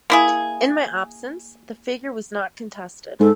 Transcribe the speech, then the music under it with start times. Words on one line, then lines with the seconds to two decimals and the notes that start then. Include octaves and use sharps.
In my absence, the figure was not contested.
0.10 A#3 E4 G#4
3.20 G#2 A4